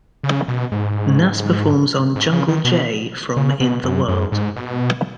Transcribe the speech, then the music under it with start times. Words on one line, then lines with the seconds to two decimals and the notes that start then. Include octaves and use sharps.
Nas performs on "Jungle Jay" from "In the World".
0.23 C#3
0.48 B2
0.72 G#2
2.16 G#2
2.32 C#3
2.48 D#3
2.65 B2
3.37 C#3
3.60 B2
3.84 F#2
4.08 F#2
4.32 G#2
4.56 B2